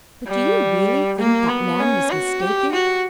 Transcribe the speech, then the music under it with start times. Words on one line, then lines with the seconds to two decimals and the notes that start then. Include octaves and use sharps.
But do you really think that man was mistaken?
0.27 G3
1.19 A#3
1.49 B3
1.80 C#4
2.11 F#4
2.41 G4
2.72 F#4